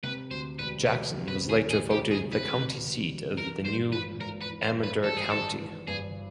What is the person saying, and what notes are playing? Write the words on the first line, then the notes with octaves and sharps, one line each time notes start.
Jackson was later voted the county seat of the new Amador County.
C3 B4
D2 C5
E1 B4
E1 B4
C3
B4
D2
G#4
E1 G#4
G4
E1
G#4
C3
B4
D2
E1
E1
E3 A#4
G2 C5
G#1 B4
G#1 A#4
B4
E3
C5
G2
B4
G#1 A4
G#4
G#1 A4
E3
G2 G#4